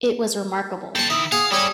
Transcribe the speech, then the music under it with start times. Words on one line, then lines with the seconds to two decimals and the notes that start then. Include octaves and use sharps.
It was remarkable.
0.95 A4 C5 G5 A5
1.10 D#3 E4 E5 D#6
1.32 G#4 F5 F#5 D#6
1.52 G3 E4 A4 C#5 G#5 D#6